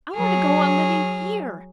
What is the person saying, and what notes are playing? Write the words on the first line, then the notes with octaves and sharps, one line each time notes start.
I want to go on living HERE.
F#3 G#4 F6